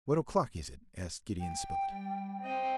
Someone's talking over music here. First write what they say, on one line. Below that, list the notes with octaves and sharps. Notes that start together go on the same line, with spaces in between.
"What o'clock is it?" asked Gideon Spilett.
G5
G3
C4 D#5 G5